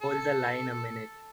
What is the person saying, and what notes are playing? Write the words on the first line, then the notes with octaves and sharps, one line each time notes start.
Hold the line a minute.
A4